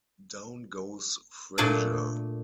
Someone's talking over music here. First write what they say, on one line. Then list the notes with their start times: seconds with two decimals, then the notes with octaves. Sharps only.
Down goes Frazier!
1.58 A#2 A3 D4 D5 G#5 A5